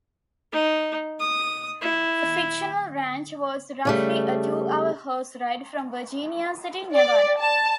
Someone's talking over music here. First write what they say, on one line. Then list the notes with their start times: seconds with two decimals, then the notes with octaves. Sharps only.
The fictional ranch was roughly a two-hour horse ride from Virginia City, Nevada.
0.52 D#4
1.19 D#6
1.82 E4
3.85 C#3 G3 A3
6.95 D5
7.40 A5